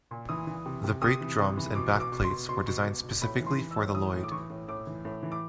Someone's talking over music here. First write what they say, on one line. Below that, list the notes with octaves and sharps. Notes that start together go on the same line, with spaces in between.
The brake drums and back plates were designed specifically for the Loyd.
A#2
E3 D#6
E3
C3
C3
C3 D#6
E3
C3
E3
B2 D6
B2
D6
B2
C6
B2
B2 C6
B2
B2
B2
A2 B5
E3
C6
E3
E6
A2
E3 D#6
A2
D6
E3 C#6
A2
A2 D6
E3
A2
E3
D6